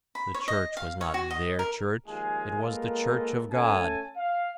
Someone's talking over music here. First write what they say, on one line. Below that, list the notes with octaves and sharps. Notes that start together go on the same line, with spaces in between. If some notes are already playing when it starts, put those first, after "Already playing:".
The church was not their church--it was the church of God!
B5
C#5
D#5
F5
C#5
F#4
D#5
A#4
D#2 F3 G#3 G#4 F5 G#5
G#3 A#3 B3 F4 A4 A#4
A3 C#4 A4 G#5 A5
F5